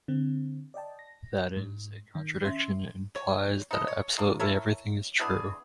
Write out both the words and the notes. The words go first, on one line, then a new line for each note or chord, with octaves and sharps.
That is, a contradiction implies that absolutely everything is true.
D3 C4
D5 D#5 G5 A5
A#6
G#2
D#3
C#4 E5 C6
C#5
D#4 E4 A4 D#5
C#5
G#3 A#3 D4
E4 A4 A#4 C#5
B3 D4 E4 G#4